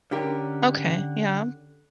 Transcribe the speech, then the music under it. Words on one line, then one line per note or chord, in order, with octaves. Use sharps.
Okay, yeah.
D3 C#4 G4 A#4